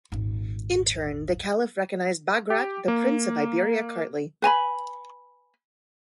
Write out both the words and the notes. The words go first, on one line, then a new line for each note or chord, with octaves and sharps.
In turn, the Caliph recognized Bagrat the prince of Iberia-Kartli.
D#1 G#1
G4
A#3
B4 G#5 A#5 B5